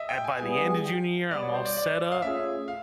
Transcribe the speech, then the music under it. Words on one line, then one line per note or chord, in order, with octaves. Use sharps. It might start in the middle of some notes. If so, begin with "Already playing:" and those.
At by the end of junior year, I'm all set up.
Already playing: D#5 E5
G5
G#5
G3 B3 E4 G#4 G#5
G#5
G5
B2 G3 B3 D5
C#5
C5
D5
D5
F5
A3 C#4 F4 G#4 E5
F5